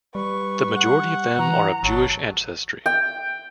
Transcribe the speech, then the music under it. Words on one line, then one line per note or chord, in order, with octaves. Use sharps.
The majority of them are of Jewish ancestry.
G3 B4 C#6
F#5
E3 A#5
G#1 F#3 A5
G5